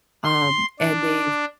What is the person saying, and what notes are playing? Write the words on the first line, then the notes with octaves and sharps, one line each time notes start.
um, and they've
C6
D4